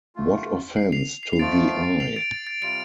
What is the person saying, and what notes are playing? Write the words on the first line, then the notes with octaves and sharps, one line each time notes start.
What Offence to the Eye!
D3 A3 F4
C7
C7 F7
C7 F7
C7
F2 F3 A3 F4 A6 D7
C7 F7
A6 D7
A6
A6
C3 G3 F4 A6 D7